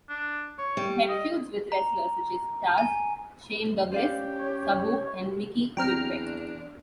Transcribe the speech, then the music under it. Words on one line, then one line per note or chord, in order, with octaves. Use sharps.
He had feuds with wrestlers such as Taz, Shane Douglas, Sabu, and Mikey Whipwreck.
D4
C#5
G3
D#5
A#5
G#5
C#4 G4 C5 D5 F5
C#5
E2 F#3 C4 D4 G5 A#5 F6